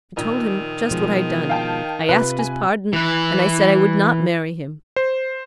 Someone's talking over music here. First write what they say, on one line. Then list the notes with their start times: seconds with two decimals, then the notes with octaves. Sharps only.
I told him just what I'd done; I asked his pardon, and I said I would not marry him.
0.17 A#1 D#3
0.91 B2 F3 G#3
1.50 F5 G5 A5
2.09 C3 F4 B4
2.39 G#5
2.93 E3 B4
4.96 C5